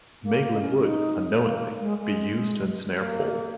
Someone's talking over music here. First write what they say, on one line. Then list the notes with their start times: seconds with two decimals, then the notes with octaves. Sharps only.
Meiglan would - unknowingly - be used to ensnare Pol.
0.22 A#3
0.54 D#4
0.61 C#4
0.81 D#4
1.40 A#3
1.80 G#3
1.99 G#3
2.97 A#3